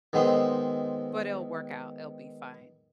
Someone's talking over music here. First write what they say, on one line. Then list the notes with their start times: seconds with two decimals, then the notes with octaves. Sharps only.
but it'll work out, it'll be fine.
0.13 D#3 G#3 B3 C4 C6